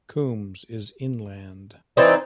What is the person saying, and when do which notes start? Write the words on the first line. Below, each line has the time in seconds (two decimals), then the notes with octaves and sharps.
Coombes is inland.
1.97 E3 C4 D#4 D5